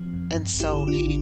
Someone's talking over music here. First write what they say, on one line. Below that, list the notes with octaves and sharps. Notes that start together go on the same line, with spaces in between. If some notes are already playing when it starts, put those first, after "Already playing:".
and so, he,
Already playing: F3 C4
F2
G2
A1
E4 G4
D3
D4 F4
A1